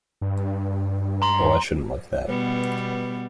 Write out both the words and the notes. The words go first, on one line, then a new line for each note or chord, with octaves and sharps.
Oh, I shouldn’t like that!
G2
A#5 C6
B2 G3 B3